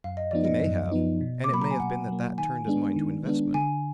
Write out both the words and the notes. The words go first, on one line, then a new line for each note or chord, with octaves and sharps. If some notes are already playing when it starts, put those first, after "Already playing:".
He may have, and it may have been that that turned his mind to investment.
F#2 F5
D#5
F3 B3 D#4 D5
D#5
F#2
F3 B3 D#4
B2
D6
F#3 A#3 B5
A#5
G#5
B2 F#5
F#3 A#3
D#3 G#5
G#3 B3 D4
D#3
G#3 B3 D4
D3 G#5